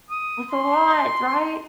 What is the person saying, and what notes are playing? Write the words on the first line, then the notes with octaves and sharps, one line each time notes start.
That's a lot, right?
D#6
C6